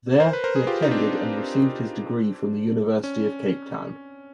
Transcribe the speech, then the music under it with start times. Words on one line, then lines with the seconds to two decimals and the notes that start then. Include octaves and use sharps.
There he attended and received his degree from the University of Cape Town.
0.20 A#4 C5
0.33 B4
0.44 A#4 C5
0.56 G#4
0.67 F4 G4
0.82 D#4
0.91 C4 D4
3.04 C#4